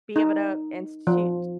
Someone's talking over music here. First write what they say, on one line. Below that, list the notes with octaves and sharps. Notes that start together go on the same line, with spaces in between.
be able to institute
D#4
F3